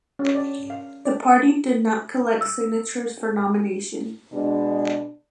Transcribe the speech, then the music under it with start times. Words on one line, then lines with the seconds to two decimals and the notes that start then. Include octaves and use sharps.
The party did not collect signatures for nomination.
0.19 C#4
0.35 D5
0.70 F5
1.05 D5
2.41 E6
4.32 B2 G#3 D4